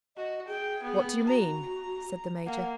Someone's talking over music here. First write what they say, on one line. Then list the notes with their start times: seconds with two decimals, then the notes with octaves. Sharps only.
"What do you mean?" said the major.
0.17 F#4 D#5
0.48 G#4 G5
0.83 B3
1.28 F#4 A#5
2.46 A#3 F#5